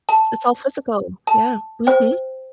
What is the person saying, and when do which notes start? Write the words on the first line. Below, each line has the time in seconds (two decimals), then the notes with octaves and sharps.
It's all physical. Yeah, mhm.
0.09 A5
1.27 A5
1.87 C5 G5